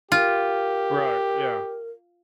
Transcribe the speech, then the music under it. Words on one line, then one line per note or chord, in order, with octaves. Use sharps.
Right, yeah.
F4 G4 A#4